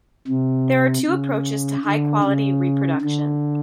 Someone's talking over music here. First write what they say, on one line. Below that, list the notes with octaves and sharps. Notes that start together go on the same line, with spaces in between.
There are two approaches to high-quality reproduction.
C3
C#3
D3
C#3
D3